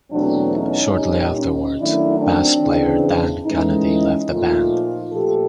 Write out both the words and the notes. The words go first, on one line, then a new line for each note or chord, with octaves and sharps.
Shortly afterwards, bass player Dan Kennedy left the band.
E2 B2 F#3 A3 C4 D4
C#4 D#4
A#2 G3
C#4 D#4
F#2 D#3 F#3 A3 D4 E4
C4 D4
E2 C#3 E3
A2 E3 G#3 C#4 D#4
A#2 F3 A3 D#4 F4
A#2 F3 A3 G4 A4